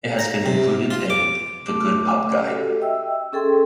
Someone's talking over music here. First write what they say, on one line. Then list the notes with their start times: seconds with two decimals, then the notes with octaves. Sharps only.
It has been included in "The Good Pub Guide".
0.19 A#5
0.46 C3
0.91 F4
1.10 D6
1.67 A3 D6
2.29 C#4
2.49 F#4 G4 A4
2.80 D#5 E5 G5 E6
3.32 C#4 G#4 A4 G5 C6